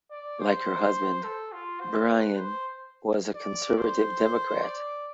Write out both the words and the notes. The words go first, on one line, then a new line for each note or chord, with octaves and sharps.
Like her husband, Byron was a conservative Democrat.
D5
C5
A4
F4
C5
B4
C5
D5
C5
D5